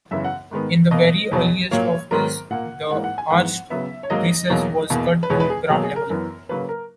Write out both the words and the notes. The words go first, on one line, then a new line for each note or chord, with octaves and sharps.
In the very earliest of these, the arched recess was cut to ground level.
F#2 C#3 E3 B3 E5
F#5
G#2 D#3 G#3 B3
B2 A#3 D#5
E2 B2 F#3
A#2 F#3 A#3 C#5
G#2 D#3 F#3 B3 A#4
A#2 A#3 F#5
G#2 E3 A#3 F#5
F#5
G#5
G#2 E3 B3 F#5
C#3 F#3 B3 E5
C#5
G#2 F#3 A#3 D#5
E2 B2 F#3 A#3
E2 B2 A#3
B4
E2 B2 G#3 B3 C#5
B4
G#4
B2 F#3 A#3 G#4
G#4
A#4
F#2 E3 B3 A#4
C#3 F#3 A#3 B4
A#4